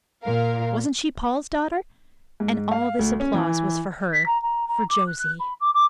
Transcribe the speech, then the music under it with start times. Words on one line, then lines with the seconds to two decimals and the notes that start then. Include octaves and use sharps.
Wasn't she Paul's daughter! And all this applause was for her--for Josie.
0.23 A#2 A#4 F5
2.40 G#2
2.71 F5
2.99 D2
3.20 C#4
3.34 E3
4.13 B6
4.26 A#5
4.42 A#5
4.68 A#5
4.89 D6
5.07 F#6
5.19 F#6
5.40 B5
5.60 D6
5.74 D6